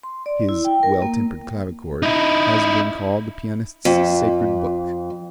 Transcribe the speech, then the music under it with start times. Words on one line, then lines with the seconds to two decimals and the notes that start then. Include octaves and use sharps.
His "Well Tempered Clavichord" has been called the pianist's Sacred Book.
0.03 C6
0.26 D5
0.49 E4
0.65 G5
0.83 A#4
1.02 A#3
2.03 D#4 E4
3.85 F2